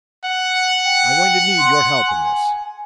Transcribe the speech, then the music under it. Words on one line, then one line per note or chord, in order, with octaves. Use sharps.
I'm going to need your help in this.
F#5
G5
C6
G#5